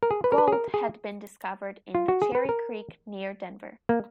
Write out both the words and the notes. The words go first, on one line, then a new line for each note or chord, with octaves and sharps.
Gold, had been discovered in the Cherry Creek, near Denver.
A#4
G#4
B4
A#4
B4
G#4
A#4
G#4
F4
F#4
G#4
B4
A#4
A#3